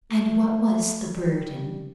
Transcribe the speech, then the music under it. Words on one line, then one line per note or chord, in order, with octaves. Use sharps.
And what was the "burden"?
A3
G3